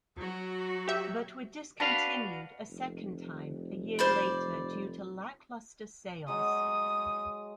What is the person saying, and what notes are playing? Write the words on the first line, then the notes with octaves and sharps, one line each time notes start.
But were discontinued a second time a year later due to lackluster sales.
F#3 F#4
G4 E5
D4 F#4 B4 F5
F1
C5 D5 B5
F#3 G#3 D#6